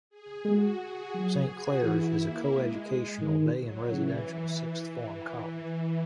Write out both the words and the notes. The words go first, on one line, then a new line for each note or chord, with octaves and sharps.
Saint Clare's is a co-educational day and residential sixth form college.
G#4
G#3 F#4
G#4
F#3 G#4
F#4
E3 E4
A#3
G#3
D#3
F#3
C#3 E3